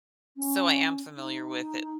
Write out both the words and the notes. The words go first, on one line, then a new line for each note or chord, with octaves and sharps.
So I am familiar with it
C#4
D#4